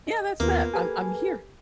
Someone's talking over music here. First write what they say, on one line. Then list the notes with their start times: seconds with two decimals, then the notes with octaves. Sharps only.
yeah, that's that. I'm I'm here,
0.07 D#5
0.40 D#2 A#3 B3 F4
0.74 G4 A4 B4 G#5